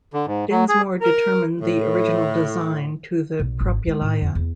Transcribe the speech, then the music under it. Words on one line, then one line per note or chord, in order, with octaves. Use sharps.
Dinsmoor determined the original design to the Propylaia.
D3
G#2
F#3
G#4
A#4
A2
B1
G#1
G#3
A2
F2
E2